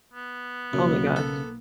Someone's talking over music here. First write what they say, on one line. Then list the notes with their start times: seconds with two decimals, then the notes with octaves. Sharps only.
Oh my gosh.
0.14 B3
0.73 B1 F#2 C#3 A#3
1.16 A4